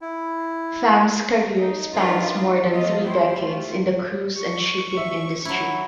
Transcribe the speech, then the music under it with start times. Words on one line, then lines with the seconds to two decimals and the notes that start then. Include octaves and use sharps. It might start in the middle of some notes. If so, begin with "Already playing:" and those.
Thamm's career spans more than three decades in the cruise and shipping industry.
0.01 E4
1.59 D#4
1.94 D4 D#4 F4 A#4 B4 D5
2.36 F4
2.69 F3 A3 B3 F4 A4 D#5
3.03 E4 G4 C5
3.40 A3 F4
4.37 C#6
4.97 E5
5.45 F#3 E4